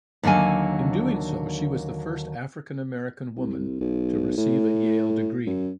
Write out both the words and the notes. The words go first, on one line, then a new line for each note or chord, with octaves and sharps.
In doing so, she was the first African-American woman to receive a Yale degree.
D#2 D3 F#3 A#3 G#5
C2
B1
A2
F#2